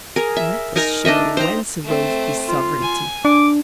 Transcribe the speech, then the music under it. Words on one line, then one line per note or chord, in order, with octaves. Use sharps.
Let us show whence arose this sovereignty.
G#4 A#4
E5
D#4 A#4 G#5 A#5
D4 D#4 D#5 E5
C5 G5 A#5
A3 C4
F4
G#5
D4 D6